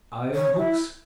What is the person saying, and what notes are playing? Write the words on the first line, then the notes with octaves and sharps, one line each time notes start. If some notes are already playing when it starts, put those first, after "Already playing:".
Iron hooks?
C#5
E4